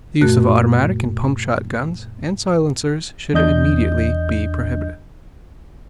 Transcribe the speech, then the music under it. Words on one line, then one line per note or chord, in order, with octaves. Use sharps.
The use of automatic and pump shotguns, and silencers, should immediately be prohibited.
F#2 A#2 A3 F#4 F#6
E2 D4 D#5 G6